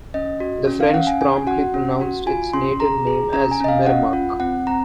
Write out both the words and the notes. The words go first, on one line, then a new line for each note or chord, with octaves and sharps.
The French promptly pronounced its native name as "Merremack".
C#4 D#5
F#4
C#4
F5
C#4 F#5
G#5
C#4 G#5
F#4 F#5
C#4
F#4
F4 G#5
C#4 C6
G#4 A#5
G#4
C#4 A#5
G#5
C#4 D#5
F5
C#4 F#5
F4
C4 F#5
C4 A#5